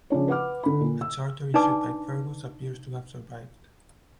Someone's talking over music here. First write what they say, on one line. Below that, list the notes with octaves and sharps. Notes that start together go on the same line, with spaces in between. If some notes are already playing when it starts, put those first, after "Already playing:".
A charter issued by Fergus appears to have survived.
C#3 F3 D4 C#5
B4 F#5 D6 F6
D3 B5
A#2
E6
D4 D#4 B4 D5 A5 D6